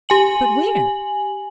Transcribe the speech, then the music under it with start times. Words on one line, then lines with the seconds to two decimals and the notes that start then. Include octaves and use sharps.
"But where?"
0.09 G4 G#5 F#7